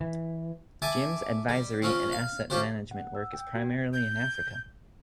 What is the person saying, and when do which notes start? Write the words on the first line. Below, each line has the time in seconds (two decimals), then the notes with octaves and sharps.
Jim's advisory and asset management work is primarily in Africa.
0.01 E3
0.82 E5 G#5 A5 D6
1.49 G3
1.82 C4 C#4 F4
2.12 F5
2.50 C#4 F4 G4 C5
2.91 F#5
3.15 E6
3.33 G5
3.55 F#4
3.93 G6